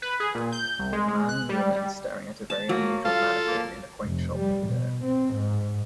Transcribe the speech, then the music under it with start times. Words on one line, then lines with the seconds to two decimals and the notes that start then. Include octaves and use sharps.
A man and a woman staring at a very unusual mannequin in a quaint shop window.
0.02 B4
0.20 G#4
0.35 A#2
0.52 G6
0.79 C2
0.93 G#3
1.08 G#3
1.29 F#6
1.49 G3
1.76 G3
2.50 A5
2.69 F#3 A#3
3.05 F4 A4 F5
3.48 A#3
4.05 F1
4.35 G3
4.67 B2
5.04 C4
5.34 G#2